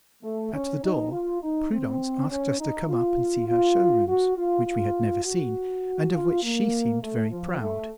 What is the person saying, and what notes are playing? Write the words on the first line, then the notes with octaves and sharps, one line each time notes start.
At the door, Prudence asked us to come up and see her showrooms, which we had never seen, and of which she seemed very proud.
A3
C#4
D#4
F4
D#4
C4
C#4
D#4
F4
F4
F#4
F4
F4
F#4
F4
A#3
A3
F3
A3